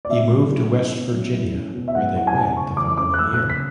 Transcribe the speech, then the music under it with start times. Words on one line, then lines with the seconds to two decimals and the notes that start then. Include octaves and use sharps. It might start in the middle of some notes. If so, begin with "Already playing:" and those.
He moved to West Virginia, where they wed the following year.
0.05 D5
0.09 B2 E5
0.31 F#3
0.51 E4
0.71 C#4
0.92 B2
1.13 F#3
1.33 E4
1.54 C#4
1.74 B2
1.88 E5
1.95 F#3 F#5
2.16 E4 F#5
2.27 G#5
2.36 C#4 A5
2.57 C#3 C#6
2.77 E3 D6
2.97 C#4 D6
3.14 F#6
3.19 A3 E6
3.34 C#3 F#6
3.50 B6